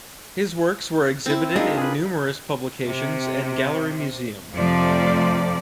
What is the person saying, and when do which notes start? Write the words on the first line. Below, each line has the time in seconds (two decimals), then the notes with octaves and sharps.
His works were exhibited in numerous publications and gallery museum.
1.26 C4 E4
1.56 G#3 D4 D#4 F4 A#4
1.78 G#4 B4
2.86 C3
4.55 F2 C3 F3 A3 D5